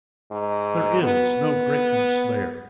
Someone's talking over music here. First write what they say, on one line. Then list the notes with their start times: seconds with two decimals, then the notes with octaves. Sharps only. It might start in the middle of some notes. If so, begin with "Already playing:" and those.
There is no greatness there.
0.31 G#2
1.02 B3